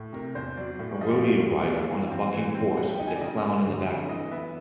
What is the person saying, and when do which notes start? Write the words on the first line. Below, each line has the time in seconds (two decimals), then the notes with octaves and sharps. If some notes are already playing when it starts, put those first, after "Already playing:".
A rodeo rider on a bucking horse with a clown in the background.
Already playing: A2
0.13 C3 A#4
0.35 E2 C5
0.57 F#3 D5
0.79 A2
0.91 D5
1.01 F3 D#5
1.24 A2
1.45 G3
1.67 D4
1.89 E3 F5
2.11 C4
2.33 E3
2.55 C4
2.77 G3 F#5
2.91 G5
2.99 D#4
3.07 G#5
3.16 D5
3.21 C#3 D#5
3.43 A#3
3.65 D3
3.87 F2
4.09 E3 D#5
4.31 B3 E5